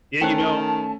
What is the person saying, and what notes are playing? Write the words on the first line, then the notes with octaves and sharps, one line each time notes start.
Yeah, you know,
D#3 A3 C#4 C5 G5 A5